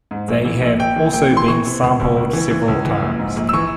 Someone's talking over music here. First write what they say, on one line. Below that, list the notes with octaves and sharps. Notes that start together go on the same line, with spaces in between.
They have also been sampled several times.
G#2
A#1
E3
A#1
A#1 G5
E3
A#1 G5
E3
C6
E3 C#6
C3
C#2
C#2
C#2
E3
E3
C#2
E3
A#1
G#2
A#1
E6
E3 C#6